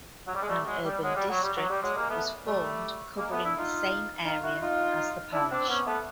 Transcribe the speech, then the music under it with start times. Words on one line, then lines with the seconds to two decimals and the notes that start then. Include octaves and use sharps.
An urban district was formed covering the same area as the parish.
0.27 F#3
0.35 G3
0.42 G#3
0.48 G3 A3
0.66 F#3 G#3
0.85 G3
1.03 F#3 G#3
1.16 G3
1.29 F#3
1.43 G3
1.57 F#3
1.70 G3
1.83 F#3 G#3
1.97 G#3 A#3
2.10 A3 B3
2.47 G3 A3
3.17 G#3 A#3
3.32 A3 B3
3.44 D4 E4
3.58 D#4 F4
4.26 D#4 F4
4.43 E4 F#4
4.61 D#4 F4
5.33 D4 E4
5.51 C4 D4
5.68 B3 C#4
5.87 A3 B3